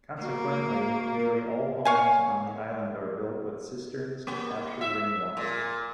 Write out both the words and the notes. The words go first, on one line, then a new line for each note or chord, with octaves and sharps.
Consequently, nearly all homes on the island are built with cisterns to capture rainwater.
A#3 F#4
C#5 F5 G#5
A#3
E5
A#2